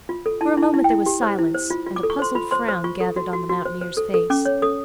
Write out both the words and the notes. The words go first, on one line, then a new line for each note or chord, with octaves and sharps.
For a moment there was silence and a puzzled frown gathered on the mountaineer's face.
F4
A4
E4 A5
E4
A5
E4
G5
E4
G4
C5
E4
C5
F4
F4
D6
A4
C#6
C5 C6
F4 B5
C5 C6
C5
F4 C#6
A4
F#4
F#4
F#4
C5
C5
A4
A4
C#4 D6
C#5
A4 D#6